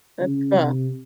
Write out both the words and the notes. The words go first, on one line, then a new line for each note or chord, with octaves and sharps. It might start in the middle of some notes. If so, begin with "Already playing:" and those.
That's cool.
C#3
C3